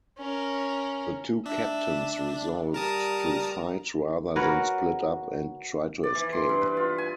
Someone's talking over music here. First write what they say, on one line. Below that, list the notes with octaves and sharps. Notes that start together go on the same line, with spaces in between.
The two captains resolved to fight rather than split up and try to escape.
C#4 A#4
D4 E5
G3 A#4 A5 A#5 D#6
F#4 A#4 B4 C#5
D5
E3
C6
G2
B4
F4
G#5